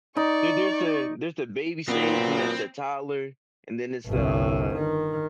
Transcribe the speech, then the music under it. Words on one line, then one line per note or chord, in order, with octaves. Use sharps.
there there's a there's a baby stage and there's a toddler, and then it's the, uh
D#4 D5 C#6
F#2 A#2 B3 C4
G1 C2
D#3